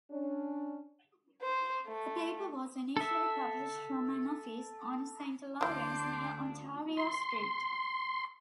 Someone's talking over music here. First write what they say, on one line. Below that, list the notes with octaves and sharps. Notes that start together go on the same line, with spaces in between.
The paper was initially published from an office on Saint Lawrence near Ontario Street.
C#4 D4
C5
A3
A4 E5
D2 E3 F#3 D4 C6 D6 G6
C6